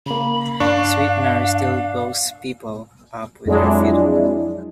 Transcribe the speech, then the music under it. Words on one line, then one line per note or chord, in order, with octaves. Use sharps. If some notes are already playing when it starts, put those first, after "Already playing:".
Sweet Mary still blows people up with her fiddle.
C#3 A#3 B5
G2 D4 F5 C#6
F2 F#3 G#3 D4 E4